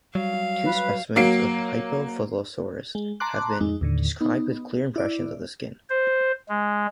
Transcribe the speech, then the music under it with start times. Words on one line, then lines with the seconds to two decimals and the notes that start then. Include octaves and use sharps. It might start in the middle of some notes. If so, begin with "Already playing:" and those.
Two specimens of "Hyphalosaurus" have been described with clear impressions of the skin.
0.15 F#3 G3 F5
0.64 B4
1.16 F#3 A#3 C7 D7
2.95 G#3
3.20 A5 A#5 C6 D6 F#6
3.60 F2 G#3 D#4
3.81 D#2 A2 D3
4.21 B3 D#4
4.96 E4 D5
5.90 C5
6.49 G#3